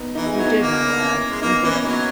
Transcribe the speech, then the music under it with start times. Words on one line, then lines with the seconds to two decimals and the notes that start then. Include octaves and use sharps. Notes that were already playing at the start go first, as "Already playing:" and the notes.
"You did, my lad; you did."
Already playing: B3 D#4
0.15 E3 B3 D#4
0.26 E4 G#4
0.36 F#3 D#4 F#4
0.47 B3 D#4
0.58 A#3
1.00 C#4 E4
1.31 G#3
1.42 A#3 B3 D#4
1.63 E3 A#3 C#4
1.84 F#3 B3 D#4